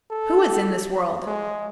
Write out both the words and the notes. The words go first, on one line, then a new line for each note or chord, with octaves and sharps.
"Who is in this world?"
A4
G#3